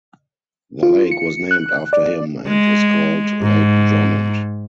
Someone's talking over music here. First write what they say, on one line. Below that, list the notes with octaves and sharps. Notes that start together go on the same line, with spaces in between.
The lake was named after him, and is called Lake Drummond.
F4
C#7
F#6
D5
G#3
G#2